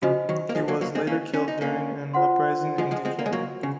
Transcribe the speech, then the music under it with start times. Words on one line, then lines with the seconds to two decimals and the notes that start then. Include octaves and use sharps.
He was later killed during an uprising in Deccan.
0.02 C#3 F3 F#4 C5 D#5
0.29 D#3 F#3
0.49 A#3
0.55 F3 G#3
0.68 F#3 A#3
0.81 F#3 A#3
0.95 G#3 C4
1.07 A#3 C#4
1.34 C#4
1.48 D#4
1.61 A#3 C#4
2.14 F4 C5 F#5 C6
2.78 F3 G#3
2.91 F3 G#3
3.05 G#3 C4
3.19 A#3
3.26 G#3
3.32 F#3 A#3
3.63 C#3